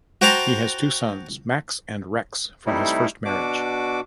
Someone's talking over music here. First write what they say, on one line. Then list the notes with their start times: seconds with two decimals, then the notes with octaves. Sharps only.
He has two sons, Max and Rex, from his first marriage.
0.22 F#4 C5 G5 A5 A#5 C6
2.66 C3 G3 A3 D#4 E4
3.25 B2 D4 F#4 D6